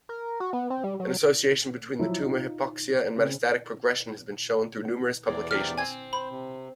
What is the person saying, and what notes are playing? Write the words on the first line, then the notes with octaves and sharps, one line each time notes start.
An association between tumor hypoxia and metastatic progression has been shown through numerous publications.
A#4
F#4
B3
C4
G3
F#3
D7
F3 F#3 E4
D#4 F4
C#3 C4
E2 B2 D5
C3 A3 D4 F6
C4 G#5 G#6
C5 B5
C3